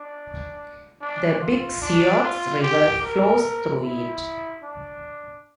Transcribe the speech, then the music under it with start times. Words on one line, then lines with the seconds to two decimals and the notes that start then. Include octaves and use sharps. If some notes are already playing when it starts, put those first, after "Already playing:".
The Big Sioux River flows through it.
Already playing: D4
1.01 D4
1.41 F4
1.82 D4
2.22 F4
2.62 G4
3.02 A#4
3.83 E4
4.63 D4